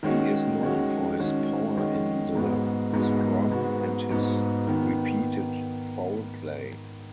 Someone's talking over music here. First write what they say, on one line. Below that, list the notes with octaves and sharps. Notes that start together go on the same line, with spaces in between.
He is known for his power in the scrum and his repeated foul play.
D#3 G#3 C#4 F#4
D#3 G#3 C#4 F#4
D#3 G#3 C#4 F#4
D#3 G#3 C#4 F#4
G#2 G#3 B3 F#4
G#2 G#3 B3 F#4
G#2 G#3 B3 F#4
G#2 G#3 B3 F#4
D#3 B3